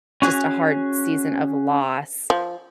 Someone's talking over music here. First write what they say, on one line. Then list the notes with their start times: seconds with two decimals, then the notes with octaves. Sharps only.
just a hard season of loss,
0.22 C#4 F#4 G#4
2.30 F3